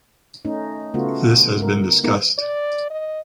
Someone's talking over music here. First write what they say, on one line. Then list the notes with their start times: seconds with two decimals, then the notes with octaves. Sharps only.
This has been discussed.
0.45 A3 C#4 D#4
0.94 C#3 A3 B3 F4 F#4
1.62 A#4
2.04 A#3 B3 D#4 E4 G#4 A#4
2.38 D5
2.90 D#5